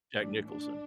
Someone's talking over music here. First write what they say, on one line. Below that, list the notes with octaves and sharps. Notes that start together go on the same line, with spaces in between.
Jack Nicholson.
A2 E3 G3 D4
D4